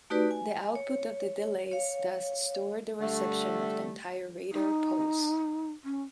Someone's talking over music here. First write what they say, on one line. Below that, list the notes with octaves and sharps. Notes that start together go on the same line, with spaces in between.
The output of the delays thus stored the reception of the entire radar pulse.
A3 D#4 F#4 G4 B4 D5
G#5
C#5
C#5 F5
D3 G3 A3
D#4
C#4